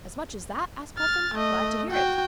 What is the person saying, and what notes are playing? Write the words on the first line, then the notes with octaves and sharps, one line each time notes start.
"As much as that?" asked Puffin, "Glad to hear it."
F6 A6
A3 D#5
F#4 G5